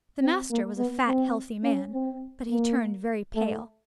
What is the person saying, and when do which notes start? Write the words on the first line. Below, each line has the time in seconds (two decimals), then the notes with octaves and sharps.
The master was a fat, healthy man; but he turned very pale.
0.21 C4
0.50 A#3
0.78 B3
1.07 C4
1.64 C#4
1.93 C4
2.50 A#3
3.36 A3